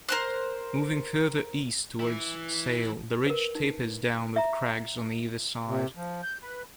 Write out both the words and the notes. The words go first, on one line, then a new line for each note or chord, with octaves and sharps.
Moving further east towards Sail, the ridge tapers down with crags on either side.
A#4 C5 F#6
E3 E4
A#4 B4
D#4
E5 A#5
C3
F3
G6
B4